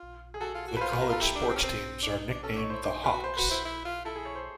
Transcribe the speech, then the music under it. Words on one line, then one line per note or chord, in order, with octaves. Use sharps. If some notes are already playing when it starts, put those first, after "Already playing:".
The college sports teams are nicknamed the Hawks.
Already playing: F4
G#4
F#4 A4
F4
F#4
B4
F4 C5
B4
A#4
F4 A4
E4 G4
D4
G4
C4
C#4
C4
D4
D#4
D4
C#4 A4
D4 C#5
D#4
E4 C5
D4 C5
D#4
F4 B4
F#4
C5
F#4 B4
E4 C5
E4
F4
E4 A4
G#4
C#5
C5